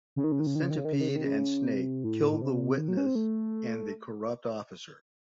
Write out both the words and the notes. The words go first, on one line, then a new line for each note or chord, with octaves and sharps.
The Centipede and Snake kill the witness and the corrupt officer.
C#3
D#3
C#3
D#3
C#3
D#3
C#3
D#3
C#3
D#3
C#3
D#3
C#3
D#3
C#3
C3
A2
A2
C3
D#3
F#3
C#4
C4
A3